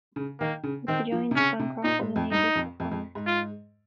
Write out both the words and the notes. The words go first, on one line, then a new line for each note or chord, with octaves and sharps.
With the Giants, Bancroft was an able performer.
C#3
D#3 A#3
C#3
D#3 C4
F3
C3
C#3 C#4
C3
A#2 D#4
G#2
F2
G2 D#4
F2
F2
F2
G#2
F4